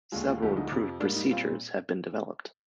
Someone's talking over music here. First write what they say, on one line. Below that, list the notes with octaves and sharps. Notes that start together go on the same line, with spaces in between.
Several improved procedures have been developed.
D#2 D3 G#3 F4
F4
D2 D3 F3 G#3 G4
D#4
F2 C3 F3
G#2 G3 A#3 D4
D#4
A#2 G3 C4 F4